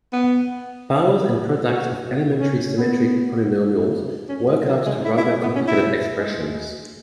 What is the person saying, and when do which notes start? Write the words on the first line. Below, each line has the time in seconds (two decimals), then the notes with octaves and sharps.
Powers and products of elementary symmetric polynomials work out to rather complicated expressions.
0.13 B3
1.65 F#4
2.40 C#4
2.78 B3
4.29 C#4
4.48 G#3
4.67 F#3
4.86 G#3
5.05 E4
5.18 E4
5.30 G#3
5.43 B3
5.55 C#4
5.68 E4
6.18 G#3